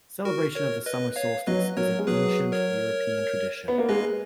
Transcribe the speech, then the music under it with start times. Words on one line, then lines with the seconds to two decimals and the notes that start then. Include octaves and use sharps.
Celebration of the summer solstice is an ancient European tradition.
0.25 F#4 A#4
0.55 A#4 C#5
0.86 B4 D#5
1.16 C#5 F5
1.47 F#3 B4 D#5
1.77 F#3 A#4 C#5
1.99 G#3
2.07 F#3 G#4 B4
2.52 A#4 C#5
3.68 B3
3.78 A#3
3.89 G#3 B4 D#5